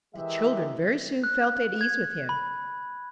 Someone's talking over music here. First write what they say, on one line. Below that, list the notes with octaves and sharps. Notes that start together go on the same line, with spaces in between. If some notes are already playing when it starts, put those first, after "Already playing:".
The children very soon felt at ease with him.
E3 G#3 G4 A#4 E5
F#6
G#6
B5